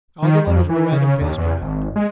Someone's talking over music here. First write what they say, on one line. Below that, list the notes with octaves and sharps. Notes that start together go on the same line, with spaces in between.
All the letters were read and passed around.
D#3
F2
E3
C#3
D#2
E2
G#1
G#3